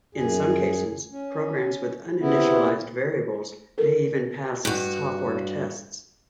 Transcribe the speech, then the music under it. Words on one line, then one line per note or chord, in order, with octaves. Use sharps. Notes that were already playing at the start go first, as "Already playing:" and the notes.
In some cases, programs with uninitialized variables may even pass software tests.
F#2 G#4
C#4
C3 B3 E4
A4 A#4
G2 F#4